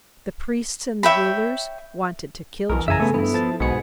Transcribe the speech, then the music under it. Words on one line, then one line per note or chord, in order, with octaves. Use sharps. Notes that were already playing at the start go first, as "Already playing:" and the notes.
The priests and the rulers wanted to kill Jesus.
C#5 E5 G5 B5
B1 E3 A#4
F#2 C#3 E5 G#5 A#5
A3 B3 A4
G2 B3 E4
F3 A5 A6
B1 G#2 B2 B3 G#4 C#7